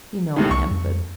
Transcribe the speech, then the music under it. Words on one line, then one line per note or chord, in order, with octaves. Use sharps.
You know I am good.
A2 C3 D#3
C2 C#6
F2